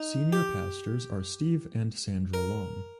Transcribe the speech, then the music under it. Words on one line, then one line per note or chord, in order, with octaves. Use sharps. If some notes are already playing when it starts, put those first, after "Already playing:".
Senior pastors are Steve and Sandra Long.
Already playing: D#4
G4
A#4